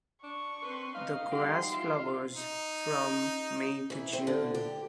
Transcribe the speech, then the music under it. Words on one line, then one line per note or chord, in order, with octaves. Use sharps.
The grass flowers from May to June.
D4 C#6
C4 B4 C6
D#4 D#5 F5
G3 D#4 F#4 G4 C6
F4 E5 F5
D#4
E3
C4
D3
G4